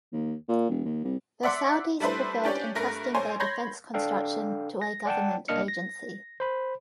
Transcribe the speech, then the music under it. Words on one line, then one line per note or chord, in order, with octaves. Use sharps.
The Saudis preferred entrusting their defence construction to a government agency.
D#2
A#2
E1
D#2
C2
D5 E5 F#5 C6 D6
G3 A3 D4 E4 B4 C5
C#4 D4 G4 C#5 D5
G2 A3 A#4 A#6
A#1 C5 C#5 G#5 C6
C#5 B5 C6 G6 G#6 A#6
D4 A4 F5 G5
A#6
D5 F#5 G5 A5
C2 A#3 D4 D#5 F6 C#7
A#6
C5 B5